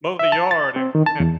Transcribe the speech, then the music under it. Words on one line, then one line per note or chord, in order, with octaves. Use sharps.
Mow the yard and and,
E5
A5
A6
C4
D#3
A5
E2